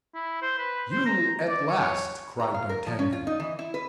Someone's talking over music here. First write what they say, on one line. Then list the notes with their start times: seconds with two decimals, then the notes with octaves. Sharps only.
"You at last?" cried d'Artagnan.
0.14 E4
0.42 C5
0.58 B4
0.91 C5
1.06 A#5
1.49 D5
1.69 C#5
2.40 A#5
2.54 F5
2.69 A#4
2.87 F3
2.99 C#4
3.13 F4
3.27 D#4
3.40 E3
3.59 E4
3.74 B4